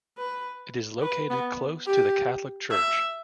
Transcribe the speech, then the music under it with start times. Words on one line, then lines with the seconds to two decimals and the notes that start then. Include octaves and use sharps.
It is located close to the Catholic church.
0.18 B4
1.02 B4
1.30 B3
1.86 G4
2.70 E5